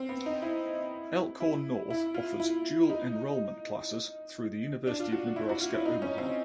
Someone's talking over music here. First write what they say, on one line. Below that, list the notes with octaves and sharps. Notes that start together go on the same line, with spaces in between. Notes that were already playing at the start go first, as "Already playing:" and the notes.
Elkhorn North offers dual enrollment classes through the University of Nebraska Omaha.
Already playing: C4
B3
D#4
E4
E4
E4
F4
E4
D#4
D4
F4
F#4
E4
F#4
F4
E4
D#4
C#4
C4